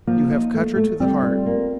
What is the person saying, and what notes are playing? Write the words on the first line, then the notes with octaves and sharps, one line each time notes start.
"You have cut her to the heart."
F3 A#3
D#4
A3
A3
G3 C4
F4
A#3